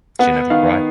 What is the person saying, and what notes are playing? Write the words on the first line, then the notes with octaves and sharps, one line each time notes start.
She never cried.
B3 F#5
D#3 F5